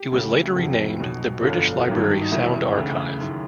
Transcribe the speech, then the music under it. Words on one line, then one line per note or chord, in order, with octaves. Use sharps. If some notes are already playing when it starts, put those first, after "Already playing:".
It was later renamed the British Library Sound Archive.
Already playing: G4
D2 C#3 F#3
F1 F2 C3 F3 F#4
B1 B2 F#3
G1 F2 D3 F#3 F4
G#1 G2 D#3 F#3
D#4
E1 E2 C3 D#3 E4
D2 C#3 E3
F#2 D#3 E4